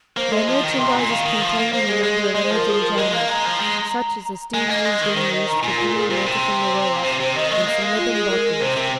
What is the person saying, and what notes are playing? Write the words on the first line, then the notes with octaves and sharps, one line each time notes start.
Their merchandise is contained in a number of earthen jars, such as are still used in the East for bringing water from the wells, and some leathern bottles.
A#3 C5
G#3 D#5
F3
D#3
C3 C6
A#5
A#2 G#5
D#3 F5
D#3
F3
A#3
A#3 C5
G#3 G#4
G#3
G#3 D#5
C5
F3 A#4
G#4
A#4
G#3 D#5
A#3 F5
G#3 A#5
F3
G#3
A#5
G#3 G#5
A#3 D#5
G#3
D#3
D#3 C5
D#5
A#5
A#2 G#5
F4
G#4
A#2 C5
C3
A#2
C3
C3
D#3 D#5
G#3 D#5
A#3 D#5
G#3 F5
F4
G#4
A#4
A#4
C3 C5
C3